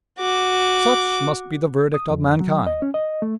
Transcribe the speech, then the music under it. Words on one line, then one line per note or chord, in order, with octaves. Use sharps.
Such must be the verdict of mankind.
F#4 D6
D#6
F2
F#3
D#5
C#4
D#5
A3